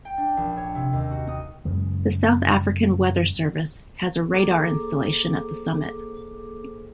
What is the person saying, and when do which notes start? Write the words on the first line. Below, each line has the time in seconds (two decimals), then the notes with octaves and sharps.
The South African Weather Service has a radar installation at the summit.
0.05 G5
0.18 D4
0.37 A#1
0.57 C#5
0.75 C3
0.93 D#2
1.11 F#4
1.28 D#6
1.65 F#2 C#3 G#3
4.32 A#3 G#4 A4 C5 D6